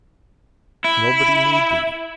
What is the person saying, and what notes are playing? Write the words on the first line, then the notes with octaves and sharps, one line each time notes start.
'Nobody need be.
E4